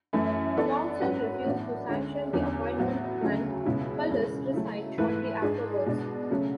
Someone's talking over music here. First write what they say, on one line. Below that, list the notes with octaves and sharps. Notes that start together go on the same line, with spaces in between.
Thompson refused to sanction the appointment and Cullis resigned shortly afterwards.
F#2 E3 A3 E4
E3 B3 D4 A4 D5
G#2 F#3 C#4 F#4 B4
A2 E3 B3 D4 F#4
D2 D3 G#3 C#4
E2 D3 F#3 C#4
A2 F#3 B3 F#4
D2 C#3 F#3 A3
C#2 B2 G#3 C#4 E4
C#2 C#3 E3 G#3 C#4
F#3 A3 E4
G#2 E3 A3 E4 B4
G#2 G#3 D4 G#4
B2 G#3 D4
C#3 F#3 A3 C#4